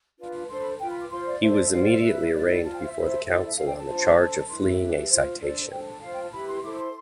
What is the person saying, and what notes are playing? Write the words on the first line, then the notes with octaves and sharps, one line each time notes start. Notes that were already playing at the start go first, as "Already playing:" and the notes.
He was immediately arraigned before the council on the charge of fleeing a citation.
D4 F4 B4
D4 A4 C5 C6
B5
F4 B4 G5
B5
D6
F4 C5 C6
D5
D4 A4 C5 E5
D5
E5
F4 C5 F5
D5
E5
E4 B4
E4 B4 D5
D5
F4 C5 A5
G5
F5
E5
E4 A4 C5
E4 A4 C5 E5
D5
E5
D4 A4 C5 F5
G5
A5
D4 F4 C5
D4 A4 C5
E4 B4 C6
E5
D4 G4 B4
F4 C5
D4 A4 C5 D5
D4 A4 C5 G5
A5
A5
F4 C5 F5
G5
A5
E4 G4 B4 B5
C6
E4 A4 C5 D6
C6